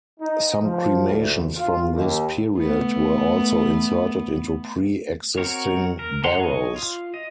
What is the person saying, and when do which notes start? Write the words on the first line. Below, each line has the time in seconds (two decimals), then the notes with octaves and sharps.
Some cremations from this period were also inserted into pre-existing barrows.
0.20 D#4
0.63 F3
1.07 D2
1.55 F4
1.92 D#2
2.56 A3 B3
5.37 C4 F#4 A#4 C#5
5.99 A#4
6.24 A4 F#5 A#5 C6
6.40 C#5 D#5
6.76 F4
7.14 D#5